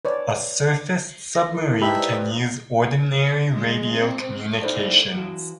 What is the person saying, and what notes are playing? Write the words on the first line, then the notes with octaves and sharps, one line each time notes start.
A surfaced submarine can use ordinary radio communications.
B4 C#5 D5
A#6
E4 A#4
D#4 E4 G4 B4 E5 A5 B5
B4 C5 D5
G#3
C4
D#4 E4 A4 C5 D5
E3 F#4